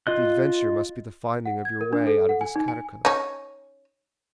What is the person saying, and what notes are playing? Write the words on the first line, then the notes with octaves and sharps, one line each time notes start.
The adventure must be the finding of your way out of this catacomb.
F4 D#5 F#6
F#5
G#6
A#4
D4
A4
F#5
G#5
D#4
G#5
C#4 D#4